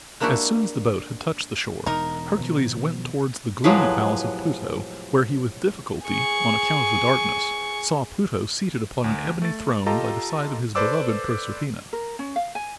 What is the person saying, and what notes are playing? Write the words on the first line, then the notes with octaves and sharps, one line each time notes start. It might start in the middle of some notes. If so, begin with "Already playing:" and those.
As soon as the boat had touched the shore, Hercules went towards the gloomy palace of Pluto where he with difficulty, on account of the darkness, saw Pluto seated upon an ebony throne by the side of his beloved Proserpina.
G#3 A#3 D4 E4 F#4 G4
E1 D#4 A#4
B2 D#3 F3
A2 C3 F3 F#3 G#3 B4
G#4 C#6
D2
A3 A6
F4 G4 A4 D#5 A5 A#5
A4 B4 C5 D5 D6 E6
A#4
C#4
F5
G#5